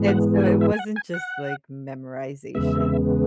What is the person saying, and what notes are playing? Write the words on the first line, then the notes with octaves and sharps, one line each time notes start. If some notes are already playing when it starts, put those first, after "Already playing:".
and so it wasn't just, like, memorization,
Already playing: G#2 E3 G#3 B3
F#5
G#5
F#5
E5
G#5
F#5
G#5
F#5
E2 C#3 G#3 B3 E5